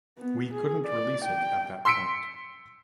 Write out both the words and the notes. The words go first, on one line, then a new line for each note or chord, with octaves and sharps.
We couldn’t release it at that point.
B3
G#4
D5
G5
C6 E6 B6 C#7 D7